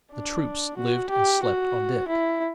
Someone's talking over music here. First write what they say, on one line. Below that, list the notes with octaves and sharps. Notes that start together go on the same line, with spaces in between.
The troops lived and slept on deck.
D4
F#4
G4
F#4
E4